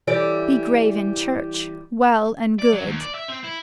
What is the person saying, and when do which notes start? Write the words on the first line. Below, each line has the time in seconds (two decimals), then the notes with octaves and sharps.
Be grave in church, well and good.
0.07 E3 G3 D5
2.59 D5
2.72 F#3
2.85 D#2
3.00 D5
3.15 E5
3.29 C4
3.44 E4